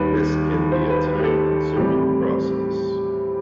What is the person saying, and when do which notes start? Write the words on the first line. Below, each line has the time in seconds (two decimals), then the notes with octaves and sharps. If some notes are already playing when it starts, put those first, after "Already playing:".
This can be a time-consuming process.
Already playing: D#2 D#3 G3 B4
0.72 C5
0.90 B4
1.07 B4
1.20 G4
1.24 A4
1.76 A2 E3 G3 C4 G4